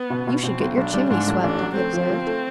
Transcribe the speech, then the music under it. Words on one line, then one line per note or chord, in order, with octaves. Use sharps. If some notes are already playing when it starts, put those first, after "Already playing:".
"You should get your chimney swept," he observed.
Already playing: B3
B2
B2
B2 C4
B1
B1 D4
G3
G#2 D4
A1
A1 D4
F#3
A3 C4
F3
F3
A3